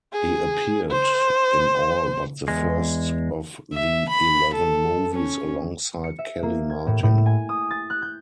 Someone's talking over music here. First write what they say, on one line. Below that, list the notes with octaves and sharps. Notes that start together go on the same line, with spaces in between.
He appeared in all but the first of the eleven movies alongside Kellie Martin.
G#4
C5
E2 G#3
E5
B5
A4
C#4
C#7
E5
A#3
G#6
A2
A2
G#5
D#6
A6
F#6
G6